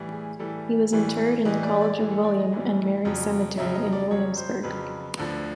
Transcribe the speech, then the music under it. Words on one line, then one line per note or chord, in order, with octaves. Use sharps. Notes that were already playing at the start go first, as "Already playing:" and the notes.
He was interred in the College of William and Mary Cemetery in Williamsburg.
Already playing: A2 E3 G3
G#4
A2 E3 G3 A4
A2 E3 G3
A2 E3 G3 D#5
D5
D5
A2 E3 G3 G#4
A4
D5
D#5
A2 E3 G3
F2 C#3 F#3
F2 C#3 F#3 E5
D#5
D5
F2 C#3 F#3 C#5
C5
F2 C#3 F#3 B4
D2 D3 F3